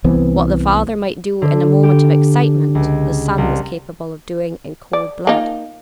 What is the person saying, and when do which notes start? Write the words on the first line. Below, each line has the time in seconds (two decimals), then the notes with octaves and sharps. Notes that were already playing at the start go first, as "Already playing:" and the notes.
What the father might do in a moment of excitement, the son was capable of doing in cold blood.
0.04 C2 E3 B3 C4
1.42 D3
1.83 G4
2.75 C#2
3.38 C2
4.93 D5
5.27 A#3 D#4 F4